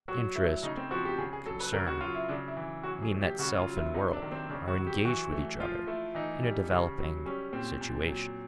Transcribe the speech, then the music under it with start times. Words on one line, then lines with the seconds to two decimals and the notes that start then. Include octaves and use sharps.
Interest, concern, mean that self and world are engaged with each other in a developing situation.
0.08 F#3 F#4
0.35 A3 E4
0.63 C#3 D#4
0.77 C4
0.91 F3 F#4
1.05 G4
1.18 C#3 G#4
1.33 G#4
1.46 F#3 A4
1.60 B4
1.73 C#3 A#4
1.87 F#4
2.01 F#3 F4
2.15 E4
2.29 C#3 D4
2.48 E4
2.57 E3
2.83 F#3 F#4
3.02 G#4
3.11 A3
3.21 G4
3.39 C#3 F#4
3.58 F4
3.67 F#3
3.77 E4
3.94 C3 D#4
4.13 D4
4.22 D#3
4.32 C4
4.49 C#3 D4
4.68 F#4
4.77 F#3
4.87 G4
5.05 E3 F#4
5.32 A3
5.60 F3 F4
5.87 A3 E4
6.15 E3 D#4
6.43 G3
6.70 C#3
6.98 F#3
7.26 G3 C#4
7.53 A#2 C4
7.81 A#2
8.08 F#3